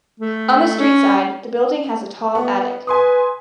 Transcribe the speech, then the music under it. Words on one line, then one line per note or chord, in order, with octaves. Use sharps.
On the street side, the building has a tall attic.
A3
C#4
B3
B4 G#5 C6 D#6